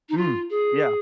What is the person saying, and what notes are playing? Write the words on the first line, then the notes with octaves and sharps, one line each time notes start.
Mm. Yeah.
D#4
F4
G#4